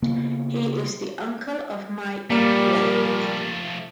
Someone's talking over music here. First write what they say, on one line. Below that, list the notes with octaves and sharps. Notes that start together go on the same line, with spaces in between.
He is the uncle of Mike Blake.
C#3 A#3 B3
A#2 F3 G3 A3 A#3 A#4